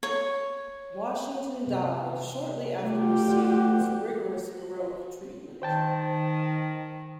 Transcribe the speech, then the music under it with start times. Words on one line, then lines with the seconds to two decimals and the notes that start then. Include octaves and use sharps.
Washington died shortly after receiving this rigorous heroic treatment.
0.03 C#5
1.67 C3
2.84 A3 F4 G4
3.28 F#4 D5
5.62 D#3 C5 G5 A5